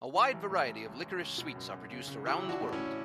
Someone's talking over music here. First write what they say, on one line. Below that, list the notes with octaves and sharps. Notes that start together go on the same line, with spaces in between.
A wide variety of liquorice sweets are produced around the world.
E3
A1
A2
A1
C#2
C#2
C#2
B2
F#2
F#2
C#3
C#3
A1 E4 G4
A1
D4 F#4
A2
C#4 E4
A2